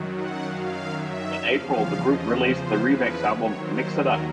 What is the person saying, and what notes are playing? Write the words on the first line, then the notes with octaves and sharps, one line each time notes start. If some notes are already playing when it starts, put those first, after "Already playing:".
In April, the group released the remix album "Mix It Up".
Already playing: F#2 D#3 F#3
F#5
F5
E5
E2 C#3 F3 F5
F5
D#5
C5
B4
D#2 D#3 F#3 C#5
C5
A#4